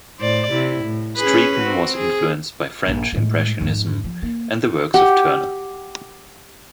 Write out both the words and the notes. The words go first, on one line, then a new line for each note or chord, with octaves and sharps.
Streeton was influenced by French Impressionism and the works of Turner.
A2 C5 D5
C3 E4
A2
C#4 G#4 B4
C4 F#4
G#4
A#1
A2 G#3
F2 G#2
F3
A#3
G4 F#5